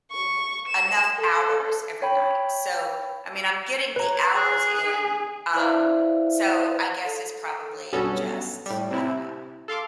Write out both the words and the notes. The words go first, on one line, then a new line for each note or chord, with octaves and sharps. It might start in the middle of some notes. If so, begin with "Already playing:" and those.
l enough hours every night. So, I mean, I'm getting the hours in, um, so I guess it's probably just, I don't know.
C#6
E7
A4
C#5 G5 B5
B4 C#5 A#5
G#4 F#6
G#5
E4 B4 C5 D5 E5 F5
A4
B1 G2 B3 C#4 F#4 A4
A2 G3
C3 E4
A4 F5 C6 D6